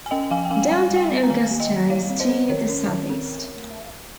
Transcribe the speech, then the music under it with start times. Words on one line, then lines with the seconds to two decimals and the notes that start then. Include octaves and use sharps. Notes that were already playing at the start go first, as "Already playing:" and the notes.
Downtown Augusta is to the southeast.
0.06 G#5
0.11 C#4 D#5 G5
0.31 F3 F5 G#5
0.45 G5
0.50 C#4 F5 G#5
0.62 G5
0.70 G3 F5 G#5
0.91 G3
0.96 G5
1.00 F5 G#5
1.11 C4
1.23 A#5
1.30 D#3 F5 G#5
1.51 A#3
1.60 D#5 G5
1.71 D#3
1.90 G3 C#5 F5
2.10 C4
2.20 C5 D#5
2.29 C4
2.50 D#3 A#4 C#5
2.69 C#4
2.89 D#3
3.10 C4